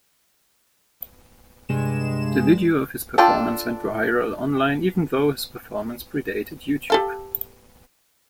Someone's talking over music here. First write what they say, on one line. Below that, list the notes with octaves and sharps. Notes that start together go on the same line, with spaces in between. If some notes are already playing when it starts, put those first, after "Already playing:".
The video of his performance went viral online even though his performance predated YouTube.
G2 C3 G#3 E7
D4 F4 A4 G5 A5
G4 A4 F5